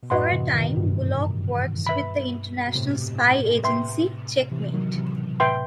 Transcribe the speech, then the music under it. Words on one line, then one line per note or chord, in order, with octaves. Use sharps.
For a time Bullock works with the international spy agency Checkmate.
B2
F#2 A2 F#4 B4 D#5 F#5 C6
C3 E3
B2 D#3
G2 B2
B4 E5 B5
B2
A2 C3
B4 E5 G5 C6
C3 E3
D#3 F#3
C3 E3
B2 D#3
A2 C3 B4 E5 G5 C6